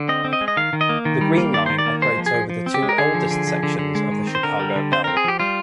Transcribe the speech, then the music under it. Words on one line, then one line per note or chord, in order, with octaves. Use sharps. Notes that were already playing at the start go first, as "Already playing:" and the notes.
The Green Line operates over the two oldest sections of the Chicago "L".
Already playing: D3
C4 D#5
C4
D#5
G#3
D#5
D#3 F5
D#3
D#5
A#3
D#3
G3
A#3
D#3 D5
D#3 C5
D5
A#3
G#3 C5
F3
G#4
F3
F3
C4
G4
G#3
A#4
D3 G#4
F3
D3
F3
D3
D3
G#3
D#3
C4
C5
D3 A#4
G3
D3
C4 C5
C4 A#4
G#4
F3 G4
G3 F4